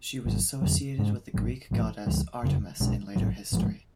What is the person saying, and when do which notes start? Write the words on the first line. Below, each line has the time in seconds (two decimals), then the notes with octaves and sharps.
She was associated with the Greek goddess Artemis in later history.
0.25 G#1 G#2 F#3
0.61 F2 D3 F#3
0.98 G#2 G#3 D4
1.34 A1 A2 F#3
1.71 A1 G#2 F3 A3
2.06 D2 D3 F3 G#3
2.43 F1 F2 C#3
2.80 B1 B2 G#3 D4
3.16 A1 G#2 F#3
3.52 A1 G#2 F3 G#3